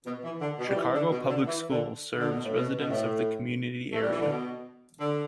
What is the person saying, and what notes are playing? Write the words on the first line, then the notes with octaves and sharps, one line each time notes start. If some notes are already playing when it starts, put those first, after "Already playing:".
Chicago Public Schools serves residents of the community area.
B2
E3
D3
B2
G3
E3
D3
B2
D3
E3
D3
D3
B2
A2
B2
B2
A2
A3
G3
E3
D3
B2
D3